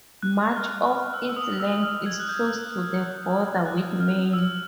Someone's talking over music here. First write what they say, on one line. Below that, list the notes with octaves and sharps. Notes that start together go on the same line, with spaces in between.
Much of its length is close to the border with Maine.
F#6
F6
E6
E6
D#6
E6
F6
G#6
F#6
G6
F#6
F6
E6